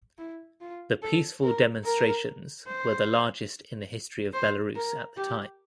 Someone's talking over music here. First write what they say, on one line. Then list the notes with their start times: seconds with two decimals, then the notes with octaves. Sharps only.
The peaceful demonstrations were the largest in the history of Belarus at the time.
0.18 E4
0.61 F4
1.02 A4
1.43 A#4
1.85 A#4
2.68 C5
4.33 C5
4.75 A#4
5.17 G4